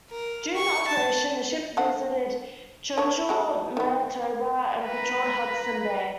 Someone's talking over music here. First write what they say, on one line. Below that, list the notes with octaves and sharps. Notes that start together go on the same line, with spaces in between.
During the operation, the ship visited Churchill, Manitoba and patrolled Hudson Bay.
A#4
C#6
A5
D3 A4 F#5
D4 C#5
G#3 F#4 A4
D#3 B3
B4 A#5